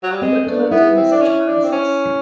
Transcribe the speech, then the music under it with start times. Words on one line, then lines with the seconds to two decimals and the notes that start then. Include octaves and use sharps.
What do I do in such a crisis?
0.03 F#3
0.12 G3
0.22 G#3 C4
0.47 A3 D4
0.71 B3 E4
0.96 C4
1.11 D4
1.21 C#4
1.47 D4
1.64 C4
1.72 C#4